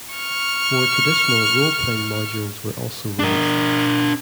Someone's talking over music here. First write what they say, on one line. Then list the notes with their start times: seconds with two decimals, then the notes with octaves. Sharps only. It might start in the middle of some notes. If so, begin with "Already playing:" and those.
More traditional role-playing modules were also released.
0.15 C#6 F6
3.19 D4 A#4